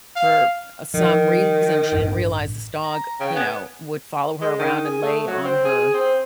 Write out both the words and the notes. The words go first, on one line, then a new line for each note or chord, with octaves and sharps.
for, uh, some reason she didn't realize this dog, you know, would follow her around and lay on her,
F5
D#3 F3
A1 G2 D4
A#5
C#3 G5
B3 G#5
G#3
D#3
G#4
A3
F#3
C4
G#4
C4